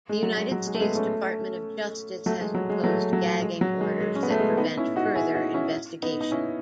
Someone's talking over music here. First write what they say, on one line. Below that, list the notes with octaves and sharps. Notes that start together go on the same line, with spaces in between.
The United States Department of Justice has imposed gagging orders that prevent further investigation.
G#3
F#3
G#3
F#3
G#3
A3
G#3 B3
A3 C#4
F#3 A3
G#3
F#3
G#3
F#3 A3
F#3
G#3
F#3
G#3
G#3
C#4
B3
A3
G#3
B3 D#4
C#4 E4
D#4 F#4
E4 G#4
D#4 F#4
C#4 E4
B3 D#4
D#4
C#4 E4